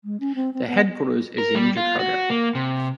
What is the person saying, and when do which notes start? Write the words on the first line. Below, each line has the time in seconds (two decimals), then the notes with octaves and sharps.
The headquarters is in Jakarta.
0.04 G#3
0.20 C#4
0.35 C4
0.54 C4
0.67 B3
1.38 A#4
1.55 G3
1.77 F4
1.99 F#4
2.30 A#3
2.55 C3